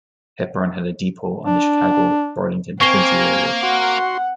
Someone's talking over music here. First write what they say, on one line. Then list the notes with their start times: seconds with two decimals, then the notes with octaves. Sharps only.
Hepburn had a depot on the Chicago, Burlington and Quincy Railroad.
1.46 D4
2.81 A#3 C4 G#5 C#6 F6 C7 G7
3.63 F#4 F#5 C6